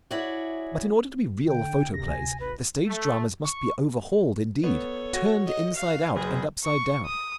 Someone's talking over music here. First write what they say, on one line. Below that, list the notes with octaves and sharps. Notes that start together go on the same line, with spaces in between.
But in order to be real photoplays the stage dramas must be overhauled indeed, turned inside out and upside down.
E4 F#4 G#4 C#5 D5
D3 G5
D2 C3 A#6
G#5
G#1 B4
A3
C#6
B3 A4 C#5
F#4 A#6
D#5
F5
F#1 G#4 B4 C5
C#6
D#6